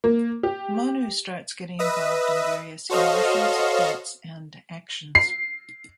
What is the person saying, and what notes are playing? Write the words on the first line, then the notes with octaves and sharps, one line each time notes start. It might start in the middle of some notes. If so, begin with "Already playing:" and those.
Manu starts getting involved in various emotions, thoughts and actions.
A#3
G4
B4 D#5 E5 D#6
F#4 A4 C5 C#5 D#5 F5
C7